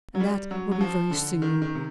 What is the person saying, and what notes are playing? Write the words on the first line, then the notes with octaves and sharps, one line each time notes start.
And that will be very soon.
F#3
G3
F#3
F#3
F3
D3
D#3
D#3
C3